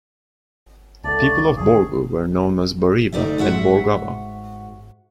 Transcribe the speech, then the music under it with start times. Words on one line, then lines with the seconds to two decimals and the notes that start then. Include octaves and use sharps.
People of Borgu were known as Bariba and Borgawa.
1.04 C#2 A4 D5 E5 A5
1.20 D4 C#6
1.57 G1 D#2 D3 G#4
3.12 D2 D#4 D5 E5
3.38 G#2 F#4 E5 F#5